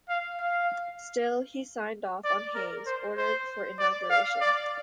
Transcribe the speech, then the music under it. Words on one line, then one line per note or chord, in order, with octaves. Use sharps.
Still, he signed off on Hayes' order for inauguration.
F5
F5
D5
A#4
C5
C5
D5
F5
D5